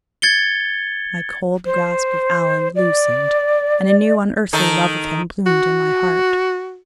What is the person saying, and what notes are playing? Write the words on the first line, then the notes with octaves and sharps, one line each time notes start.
My cold grasp of Allan loosened and a new unearthly love of him bloomed in my heart.
G#6 A6 C#7 G7
C5
D5
D#3 D#4 A4
F#4